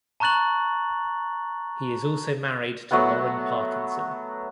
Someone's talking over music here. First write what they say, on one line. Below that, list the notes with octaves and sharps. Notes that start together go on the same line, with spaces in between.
He is also married to Lauren Parkinson.
A5 A#5 C#6 F#6 A6 F#7
F#3 A3 B3 F#5